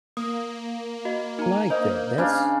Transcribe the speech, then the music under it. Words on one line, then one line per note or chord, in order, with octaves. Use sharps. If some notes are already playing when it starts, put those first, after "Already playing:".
Like that. That's
A#3 D#6
F#4 D#5
D#4 A#5
D#4 C5 D#5
C#3 D4 F5